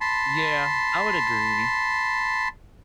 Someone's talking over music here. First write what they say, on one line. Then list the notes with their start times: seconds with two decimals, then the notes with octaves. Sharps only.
Yeah, I would agree.
0.01 A5 B5 C6